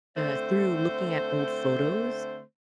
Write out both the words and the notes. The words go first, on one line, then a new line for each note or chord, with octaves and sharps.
uh through looking at old photos,
D3 A3 C4 C5